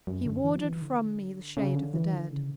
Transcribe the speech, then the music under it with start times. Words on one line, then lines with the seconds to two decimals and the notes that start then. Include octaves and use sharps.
He warded from me the shade of the dead.
0.07 F#2
0.26 D3
0.44 E3
0.56 F#3
0.63 E3
0.82 D3
1.57 C#3
1.75 D3
1.94 E3
2.13 D3
2.31 C#3